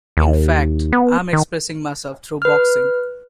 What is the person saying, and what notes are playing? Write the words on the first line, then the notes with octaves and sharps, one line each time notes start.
In fact, I am expressing myself through boxing.
D#2
B3
D#3
B4 F6